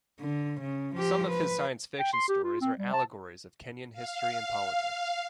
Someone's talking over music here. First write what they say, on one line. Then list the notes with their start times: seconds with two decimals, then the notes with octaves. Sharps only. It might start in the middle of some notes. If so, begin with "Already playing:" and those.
Some of his science fiction stories are allegories of Kenyan history and politics.
0.20 D3
0.61 C#3
0.96 F3 G4
1.31 B4
1.99 G5
2.13 C6
2.28 G4
2.44 F4
2.61 C4
2.78 G3
2.93 A5
3.93 F5